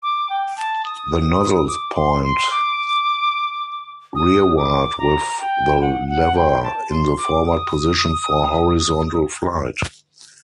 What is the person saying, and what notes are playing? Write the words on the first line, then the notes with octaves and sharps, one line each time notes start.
The nozzles point rearward with the lever in the forward position for horizontal flight.
D6
G5
A5
D#6
D6
C6
C6
D6
D#6
D6
A#5
G5
F#5
F#5
G5
A5
C6
D6
D#6